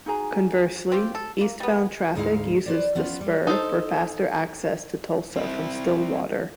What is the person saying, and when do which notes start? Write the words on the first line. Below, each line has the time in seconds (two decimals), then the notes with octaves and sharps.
Conversely, eastbound traffic uses the spur for faster access to Tulsa from Stillwater.
0.06 D#4 F#4 G#4 A#5
0.92 C4 F4 G4
1.15 A4
1.41 A#3
1.60 G3 B3
2.15 D2 G#2 G#3 D#4 E4 F5
2.66 B4 C5 D5
2.95 F3 B3 C#4 F4
3.21 G3
3.47 D#4 A4 C5
5.36 C4 E4